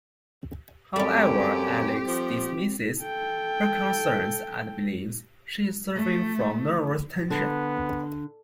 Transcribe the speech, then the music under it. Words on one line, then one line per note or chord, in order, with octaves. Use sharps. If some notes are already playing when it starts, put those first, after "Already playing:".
However, Alex dismisses her concerns and believes she is suffering from nervous tension.
F#2 G3 A3 C4 G4
F3
A4 G5
A3
D3 B3